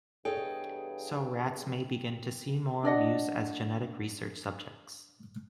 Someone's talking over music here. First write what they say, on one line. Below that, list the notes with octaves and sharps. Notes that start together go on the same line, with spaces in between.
So rats may begin to see more use as genetic research subjects.
E2 G2 G#4 A4 C#5 D#5 G5
D4 D5 D#5 F#5